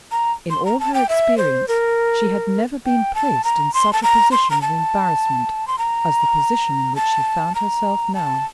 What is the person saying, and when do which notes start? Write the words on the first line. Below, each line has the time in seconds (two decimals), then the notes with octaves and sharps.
In all her experience she had never been placed in such a position of embarrassment as the position in which she found herself now.
0.11 A#5
0.50 C6
0.65 A#5
0.80 A5
0.94 G5
1.09 E5
1.38 C5
1.68 A#4
2.85 G5
3.15 A5
3.44 A#5
3.74 C6
3.93 A5
4.03 A#5
4.32 C6
4.51 A#5
4.62 A5
5.68 C6
5.78 A#5
6.96 A5
7.55 A#5
8.14 A5